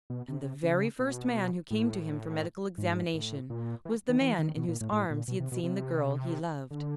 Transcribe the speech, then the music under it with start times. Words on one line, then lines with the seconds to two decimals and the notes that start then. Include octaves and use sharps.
And the very first man who came to him for medical examination was the man in whose arms he had seen the girl he loved.
0.10 B2
0.28 C3
0.63 C#3
0.99 B2
1.71 A2
2.78 G#2
3.14 A2
3.50 A#2
3.85 E3
4.09 D#3
4.21 E3
4.39 D#3
4.57 B2
4.68 A#2
4.81 A2
4.92 A2
5.10 A#2
5.28 B2
5.40 C3
5.52 B2
5.63 C3
6.71 D3